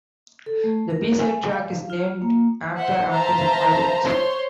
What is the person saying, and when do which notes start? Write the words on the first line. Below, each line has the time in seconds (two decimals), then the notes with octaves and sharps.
The B-side track is named "After, After the Fireworks".
0.46 A4
0.64 A3
0.90 A#4
1.20 G#5
1.53 F5
1.90 F4
2.22 A#3
2.75 C5 E5 F#5
3.12 B4 C5 E5 F5 A5 A#5
4.04 C5 C#5 C6